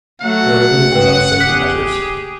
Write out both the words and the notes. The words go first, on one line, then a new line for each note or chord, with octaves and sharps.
There are little to no safety measures.
F#3 A3 F#4 F#5
C#3 B4 G5
G4 G#4 F#6 B6